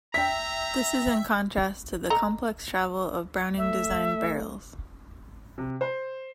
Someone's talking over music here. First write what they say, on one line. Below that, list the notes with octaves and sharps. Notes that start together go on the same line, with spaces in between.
This is in contrast to the complex travel of Browning designed barrels.
E5 G5 A#5 B6
A4 D#5 A#5
A3 E5
C3
C5